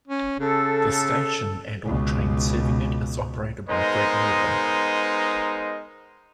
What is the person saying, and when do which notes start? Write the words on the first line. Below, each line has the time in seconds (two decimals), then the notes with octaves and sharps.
The station, and all trains serving it, is operated by Great Northern.
0.08 C#4
0.39 C#3 A4
1.85 C#2 B2
3.70 G#3 B3 D#4 A#4 C5 D#5